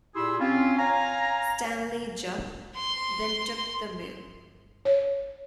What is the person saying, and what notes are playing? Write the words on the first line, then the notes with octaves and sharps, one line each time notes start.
Stanley Jupp then took the mill.
A#2 E4 G4 G#4 C6 E6
C4 C#4 F4
C#5 F5 G#5 A#5
C6
C#5